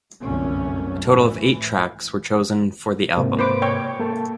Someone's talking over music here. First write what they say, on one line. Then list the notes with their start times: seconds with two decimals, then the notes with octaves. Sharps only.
A total of eight tracks were chosen for the album.
0.20 G1 C2 F#2 A3 C#4
1.06 A2 E3
3.17 G#2 C3 A#3
3.39 B4 C5 D6
3.62 C#5 G5
4.00 A#3 A4 A5